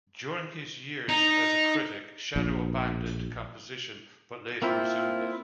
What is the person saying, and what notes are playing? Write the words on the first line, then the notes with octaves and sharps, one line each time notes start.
During his years as a critic, Sandow abandoned composition, but later resumed it.
D#4
A#1
A#3 C4 E4 F4